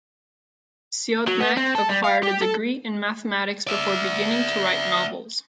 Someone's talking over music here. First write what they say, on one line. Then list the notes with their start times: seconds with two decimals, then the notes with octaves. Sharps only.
Siodmak acquired a degree in mathematics before beginning to write novels.
1.28 F#3
1.40 B3
1.57 C4
1.75 A4
1.89 G3
2.04 F5
2.23 G4
2.42 A4
3.67 D5 E5